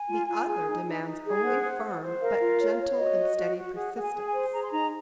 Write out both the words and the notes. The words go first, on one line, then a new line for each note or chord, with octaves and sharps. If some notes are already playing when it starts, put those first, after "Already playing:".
The other demands only firm, but gentle and steady persistence.
Already playing: G#5
F4
F4
G#4
D#4
D#4
D#4
G#4
C5 F#5
C5
C5
C5
A#4 F5
F4
C#5
C#5
F#4 D#5
F#4
F#4
F#4
G#4 F#5
G#4 F#5
G#5
G#4
G#5
C5
G#4 A#5
C6
D#4 A#5